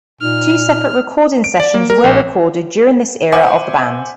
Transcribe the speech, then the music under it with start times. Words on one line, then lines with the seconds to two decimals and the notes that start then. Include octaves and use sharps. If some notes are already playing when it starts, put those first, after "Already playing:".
Two separate recording sessions were recorded during this era of the band.
0.21 A#2 D#4 F6
1.44 D7
1.60 D5
1.74 A#3
1.90 A#4
2.04 A#1
3.32 C5 E5 F#5 G#5 D6